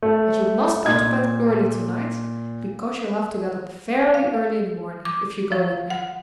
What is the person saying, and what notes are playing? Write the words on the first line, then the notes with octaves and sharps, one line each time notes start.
But you must go to bed early to-night, because you'll have to get up very early in the morning, if you go with me!
A3
A#2 G#6
F5
D6
F3
F#5